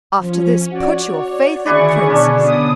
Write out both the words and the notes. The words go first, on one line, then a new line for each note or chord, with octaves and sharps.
After this, put your faith in princes!'
F3 C#4
F#4 C#5 D5
D3 D#3 E4 G#4 B4 D5 C#6 D#6
B2 D3 B3 C#4 D4
D6 D#6